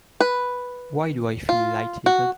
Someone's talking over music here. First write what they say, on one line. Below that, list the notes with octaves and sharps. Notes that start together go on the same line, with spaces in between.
Why do I feel light-headed?
B4
F4
F#4